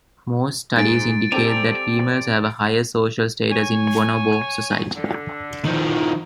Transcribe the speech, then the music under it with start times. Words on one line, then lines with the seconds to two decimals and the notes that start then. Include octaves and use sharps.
Most studies indicate that females have a higher social status in bonobo society.
0.76 G#2 G#4 A6 D7
1.32 C4 G4 A4 D5 G#5 A#5
3.51 C#5 G#5
4.95 D3
5.65 D#3 F3